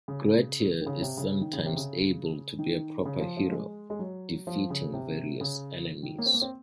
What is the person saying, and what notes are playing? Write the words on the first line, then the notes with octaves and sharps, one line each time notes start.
Grettir is sometimes able to be a proper hero, defeating various enemies.
C#3
D#3
C#3
C3
C#3
D#3
C#3
C3
C#3
D#3
C#3
F3
F3
F#3
G#3
G#3
F#3
F3
C#3
C3
C#3
D#3
A#3
C4
A#3
C4